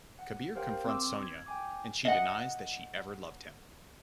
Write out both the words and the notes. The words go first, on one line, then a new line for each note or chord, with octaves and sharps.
Kabir confronts Sonia and she denies that she ever loved him.
F#5
G4 A#4 C5 F5 G5
C4 C6 D6 E6
G#6
G5 G#5 D6
D#5 F#5